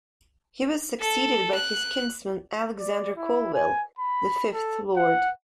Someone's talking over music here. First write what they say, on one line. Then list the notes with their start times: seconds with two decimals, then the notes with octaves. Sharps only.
He was succeeded by his kinsman Alexander Colvill, the fifth Lord.
1.00 A4
1.54 F#6
2.79 D5
3.17 E4
3.54 G#5
3.99 B5
4.53 A4
4.96 F#5